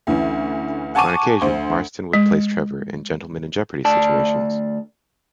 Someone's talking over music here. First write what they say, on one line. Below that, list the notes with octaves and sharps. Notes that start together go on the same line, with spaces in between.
On occasion, Marston would place Trevor in "gentleman-in-jeopardy" situations.
D2 E3 C#4
F#5 G#5 A5 C#6 D6 D#7
D2 C5
G#3
D2 D5 A5